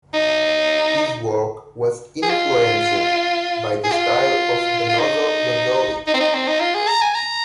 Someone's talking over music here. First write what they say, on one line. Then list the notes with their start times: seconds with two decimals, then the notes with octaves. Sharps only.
His work was influenced by the style of Benozzo Gozzoli.
0.14 D#4
2.22 G#4
2.30 F4
3.84 G#4
3.92 F4
4.89 F4
4.99 D#4
6.07 D#4
6.14 C4
6.20 D#4
6.34 C4
6.47 D#4
6.60 F4
6.74 G#4
6.88 A#5
7.02 G#5
7.15 A#5